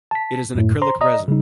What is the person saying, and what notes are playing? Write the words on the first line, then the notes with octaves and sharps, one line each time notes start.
It is an acrylic resin.
A5 B6
F#2 A2
C5 A#5 C6
D5 D#5 A#5 D#6
C#3 G3 D#4